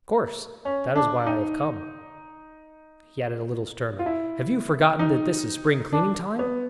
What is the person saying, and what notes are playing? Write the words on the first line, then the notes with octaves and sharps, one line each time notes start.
"Of course; that is why I have come." He added a little sternly, "Have you forgotten that this is spring cleaning time?"
C#4
D4
D#4
F4
E4
D#4
D4
B3